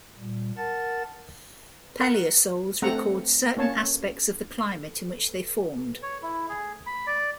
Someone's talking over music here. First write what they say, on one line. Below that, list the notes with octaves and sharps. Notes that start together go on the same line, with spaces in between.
Paleosols record certain aspects of the climate in which they formed.
A#2 G3
A#4 F#5 A5 A6
A#4 F#5
A3 C4 A4 F#5 A#5
A#3 C#4 C#5 A5
C#5
E4
G#4
B5
D5